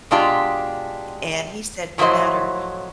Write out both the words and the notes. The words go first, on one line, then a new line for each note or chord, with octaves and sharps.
and he said, "No matter"
B2 G#3 D4 F4 G4
A2 F3 F#3 E4 C5 D#5